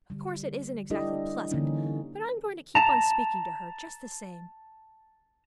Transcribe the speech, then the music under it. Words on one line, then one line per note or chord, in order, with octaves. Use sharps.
Of course it isn't exactly pleasant, but I'm going to keep on speaking to her, just the same.
D3 G3
G3 D4 E4 G4 A4 D#5
D3 E3 A#3 C#4 D#4
A5 A#5